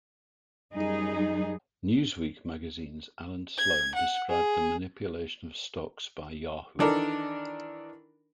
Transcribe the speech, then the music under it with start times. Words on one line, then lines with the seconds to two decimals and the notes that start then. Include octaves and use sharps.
"Newsweek" magazine's Allan Sloan described the manipulation of stocks by Yahoo!
0.75 F#2 G3 D#4 G#4
3.58 G#6
3.95 F#5
4.29 G#4
6.79 D#3 E3 D4 A4 A#4